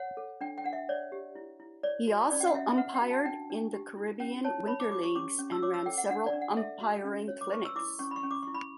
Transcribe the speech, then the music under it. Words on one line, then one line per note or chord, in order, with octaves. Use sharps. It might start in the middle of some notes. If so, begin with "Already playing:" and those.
He also umpired in the Caribbean winter leagues, and ran several umpiring clinics.
Already playing: C#5 F#5
A4
D4 G5
G5
D4 F#5
E5
C#5 D5
G4
E4
E4
C#5 D5
F#4
C#4 D5
G5
F#5
C#4 E5
E5
B4 F#5
G5
F#4
A5
D4 G5
D4
G4
E4
C#4 G5
C#5 A5
C#5 B5
D6
G4 D6
C#6
C#4 D6
C#4
E6
C#5 D6
E6
A4 G5
F#5
D4 F#5
D5
D4
F#5
A4 E5
F#4
C#4
C#5
D6
B4 C#6
E6
E4 D6
C#4 C#6
B5
C#6
C#4
D6
E4 C#6
B5